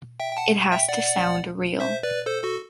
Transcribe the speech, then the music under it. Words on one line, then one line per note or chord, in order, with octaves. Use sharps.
It has to sound real.
E5 G5
G5
F#5 A5
E5 G5
D5 F#5
C5 E5
B4 D5
A4 C5
F#4 A4